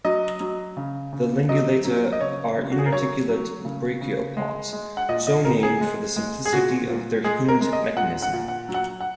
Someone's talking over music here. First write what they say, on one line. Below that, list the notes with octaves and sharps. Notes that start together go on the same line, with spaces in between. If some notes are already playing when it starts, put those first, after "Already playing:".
The Lingulata are inarticulate brachiopods, so named for the simplicity of their hinge mechanism.
F#3 D#5
F#3
C#3
C#3
F#3 D#5
F#3
D#5
C#3 C#5
C#3
F#4
G#4
A#4
F#3 C#5
F#3
C#3
C#3
G#3
G#3
F#5
A#2 D#5
D#5
A#2 A#4
G#4
G#3
G#3
G#4
A#2 F#4
A#2
G#3 G#4
A#4
G#3
D#5
A#2 F#5
F#5
A#2
F#5
F#3
F#5
F#5